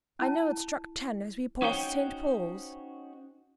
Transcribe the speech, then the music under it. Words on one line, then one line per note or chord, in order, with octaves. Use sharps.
"I know it struck ten as we passed St. Paul's."
C#4 E4 A5
C#4 D#4 F#4 C5 C#5 G5